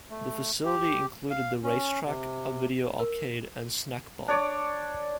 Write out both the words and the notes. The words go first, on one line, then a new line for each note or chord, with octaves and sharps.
The facility included the racetrack, a video arcade and snackbar.
A3
G4
F5
C#4
C3
A#4
D4 C#5 D5